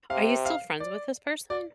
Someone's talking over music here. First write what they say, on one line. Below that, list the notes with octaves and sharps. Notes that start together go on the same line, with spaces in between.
Are you still friends with this person?
C3 F5
F5
D5
D5